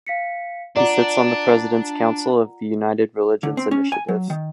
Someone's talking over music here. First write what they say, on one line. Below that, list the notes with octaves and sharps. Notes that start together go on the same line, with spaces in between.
He sits on the President's Council of the United Religions Initiative.
F5 B6 C#7
D4 F4 D5 F#5 A#5
D3
C4
C#4
G#5
F#3
D#3